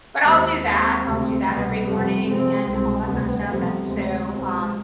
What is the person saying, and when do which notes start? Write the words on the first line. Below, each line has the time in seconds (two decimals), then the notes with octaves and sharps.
but I'll do that, I'll do that every morning and all that kinda stuff, and so, um,
0.24 D#2 G#3 C4
0.64 D#2
1.05 D2 C3
1.45 C2 B2 G3 B3
1.86 F2 C3
2.26 F2 C3 G#3 C4
2.66 C2 B2 G#3 C4
3.06 D2 C3 G3 B3
3.47 F2 C3 G3 B3
3.87 D2 C3 G#3 C4
4.27 C2 B2